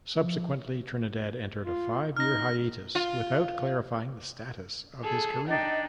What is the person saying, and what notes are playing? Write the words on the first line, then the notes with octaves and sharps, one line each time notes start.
Subsequently, Trinidad entered a five-year hiatus without clarifying the status of his career.
F3
F4
D#4 F6 A#6
F4
G#4 A4
D4 D#4 D#5 G5